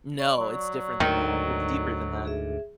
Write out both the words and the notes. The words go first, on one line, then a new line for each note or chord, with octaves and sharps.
No, it's different than that, it's deeper than that.
D5 C#6
F#3
D2 G#2 D#3
G#4 E5